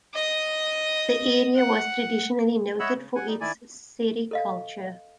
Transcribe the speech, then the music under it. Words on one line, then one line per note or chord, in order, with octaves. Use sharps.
The area was traditionally noted for its sericulture.
D#5 D#6
F#5
C#5 D#5 E5 F#5 B5 E6
C#3
F#5 G#5
G3 D#4
D#3 E4 D5 G#5
A4 D#5 F5